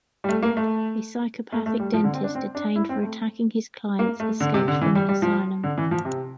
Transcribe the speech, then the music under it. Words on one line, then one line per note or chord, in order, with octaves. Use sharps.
A psychopathic dentist detained for attacking his clients escapes from the asylum.
G3
A3
A#3
A3
A3
A3
G3
F3
D3
C4
D4
C4
D4
E4
C4
A3
A#3
A3
D3
C3
D3
E3
G3
G3
F3
D3
E3
F3
C3